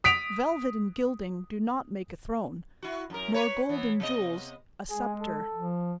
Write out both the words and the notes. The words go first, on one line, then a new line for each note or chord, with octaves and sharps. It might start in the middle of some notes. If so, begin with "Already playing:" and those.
Velvet and gilding do not make a throne, nor gold and jewels a sceptre.
D#6 B6 D7 F7
E4 F#4
F#2 A#4
B4 C#5
E3 B3
C3 B3 D#5
G#3 G#4
A4
F3